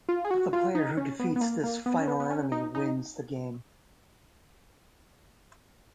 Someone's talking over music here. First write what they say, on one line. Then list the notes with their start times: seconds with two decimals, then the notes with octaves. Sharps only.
The player who defeats this final enemy wins the game.
0.09 F4
0.25 G#4
0.31 F#4
0.53 F4
0.75 D#4
0.97 C#4
1.19 B3
1.36 B3
1.41 A#3
1.63 A#3
1.86 B3
1.99 C#4
2.08 B3
2.20 B3
2.30 C#4
2.52 D#4
2.75 D#4